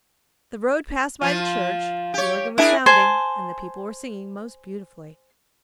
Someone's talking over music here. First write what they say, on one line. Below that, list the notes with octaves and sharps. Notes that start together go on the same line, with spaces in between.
The road passed by the church; the organ was sounding, and the people were singing most beautifully.
F3 F4
G4 C#5
D4 E4 G#4 A#4
C5 G#5 A5